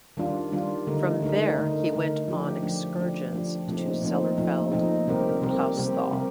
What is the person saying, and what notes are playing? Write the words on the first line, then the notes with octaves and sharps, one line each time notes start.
From there he went on excursions to Zellerfeld and Clausthal.
D#3 G3 D4 F4
D#3 G3 D4 F4
D3 A3 D#4 A#4
D3 A3 D#4 A#4
D3 A3 D#4 A#4
D3 A3 D#4 A#4
F3 A3 D4 G4
F3 A3 D4 G4
F3 A3 D4 G4
F3 A3 D4 G4
A#2 F3 A3 C4 D#4
A#2 F3 A3 C4 D#4
A#2 F3 A3 C4 D#4
A#2 F3 A3 C4 D#4
C3 G3 C4 G4 A#4
C3 G3 C4 G4 A#4
C3 G3 C4 G4 A#4
C3 G3 C4 G4 A#4